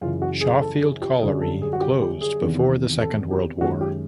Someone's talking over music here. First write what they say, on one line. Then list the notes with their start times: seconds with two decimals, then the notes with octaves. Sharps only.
Shawfield Colliery closed before the Second World War.
0.01 F#2 C#3 E3 F4
0.22 F#4
0.41 G#4
0.61 A4
0.81 G#4
1.02 G4
1.21 F#2 D3 G3 G#4
1.41 A4
1.62 G#4
1.73 F#4
1.81 G4
2.01 G4
2.21 G#4
2.41 E2 C3 D#3
3.01 A4
3.31 G4
3.61 F#2 D#3 G#3 F#4
3.81 G4